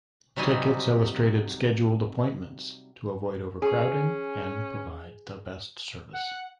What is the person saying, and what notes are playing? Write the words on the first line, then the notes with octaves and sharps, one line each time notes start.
Tickets illustrated scheduled appointments to avoid overcrowding and provide the best service.
C3 F#3 G3 D#4 G#5
C#4 G#4
F#5